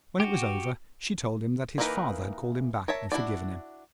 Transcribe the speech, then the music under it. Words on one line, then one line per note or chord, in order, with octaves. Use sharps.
When it was over, she told him that his father had called him back and forgiven him.
F#4 G4
E3 A#3 D#4 A#4 B4
A#4 C#5 E5 A5
D4 E4 F#4 D5